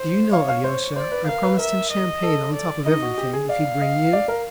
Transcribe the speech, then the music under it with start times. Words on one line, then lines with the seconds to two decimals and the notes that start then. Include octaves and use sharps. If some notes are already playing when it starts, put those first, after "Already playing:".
Do you know, Alyosha, I promised him champagne on the top of everything, if he'd bring you?
Already playing: C5
0.32 C#5 F5
0.49 F5
0.64 C5
0.96 C5 D5
1.12 B4
1.27 A#4 F5
1.43 B4
1.59 A#4 E5
1.92 D#5
2.23 A4
2.54 D5
2.86 D#4 D#5
3.02 F#4
3.18 G4
3.33 G#4
3.49 D5 F5
3.81 D#5
4.13 D5
4.28 A#4